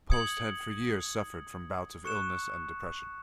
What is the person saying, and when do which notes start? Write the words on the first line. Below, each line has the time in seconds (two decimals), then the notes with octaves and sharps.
Post had for years suffered from bouts of illness and depression.
0.10 D#6 G#6 C#7 F#7
2.05 C#6 F#6 C#7 E7